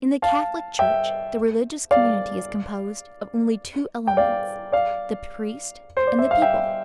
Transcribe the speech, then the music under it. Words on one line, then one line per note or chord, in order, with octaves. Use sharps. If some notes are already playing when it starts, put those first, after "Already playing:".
In the Catholic Church, the religious community is composed of only two elements, the priest and the people.
F5 A5
E5 G5
D5 F5
G5
D5 F5
D5 F5
C5
D5
E5
F5
E5 G5